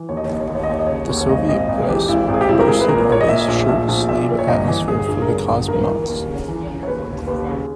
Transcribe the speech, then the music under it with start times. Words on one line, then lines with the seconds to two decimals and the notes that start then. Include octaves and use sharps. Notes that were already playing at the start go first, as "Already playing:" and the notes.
The Soviet press boasted of a "shirt-sleeve" atmosphere for the cosmonauts.
Already playing: E3
0.09 D#2 C#5
0.17 D#5
0.25 C#5
0.29 D#2 D#5
0.40 C#5
0.48 D#2 D#5
0.55 C#5
0.63 D#5
0.69 D#2 C#5
0.79 D#5
0.87 C#3 C#5
1.09 D#2
1.21 C#5
1.29 G#1 D#5
1.48 G#1 D#5
1.68 G#1
1.78 G#4
1.88 E3 G4
2.08 G#1 E4
2.28 G#1
2.34 G#4
2.41 G4
2.48 G#1 E4
2.60 A#4
2.68 G#1 G#4
2.80 B4
2.88 A#2 A#4
3.09 A#2 C#5
3.21 D#5
3.28 A#2 E5
3.48 A#1
3.68 A#1 E5
3.88 A#1
4.08 A#2 E5
4.29 A#2
4.39 C#5
4.48 G1 D#5
4.68 E3
4.88 G1 G#4
5.08 G2 G#4
5.22 A#4
5.28 G1 G#4
5.48 G1
5.68 G2 A#4
5.88 E3
6.08 D#2
6.28 C#3
6.48 E3
6.68 C#3
6.83 C#5
6.88 D#2 B4
7.07 D#2
7.27 D#2 B4
7.48 C#3